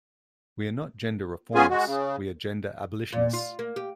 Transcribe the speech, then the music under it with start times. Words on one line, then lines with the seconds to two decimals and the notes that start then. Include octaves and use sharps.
We are not gender reformists-we are gender abolitionists.
1.55 B3 C#4 F4 G#4 G#5
1.70 G#3 F#4
1.86 C#3
3.12 A#2
3.33 F4
3.59 A#3
3.76 G4